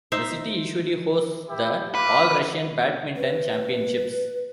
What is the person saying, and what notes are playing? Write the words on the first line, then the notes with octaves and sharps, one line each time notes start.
The city usually hosts the All-Russian badminton championships.
D#4 C5 E5
E4 G4
B4 E5 F5 D6
B4